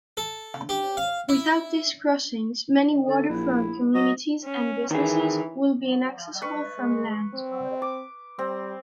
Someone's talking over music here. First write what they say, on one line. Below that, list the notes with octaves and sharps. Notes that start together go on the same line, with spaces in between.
Without these crossings many waterfront communities and businesses would be inaccessible from land.
A4
G4
F5
E4
D3 A4
A#1 E4
F#3 D#5
C#4
D#3 E3 G#4
B4 C#6
G#3
C4
D6
G3 C4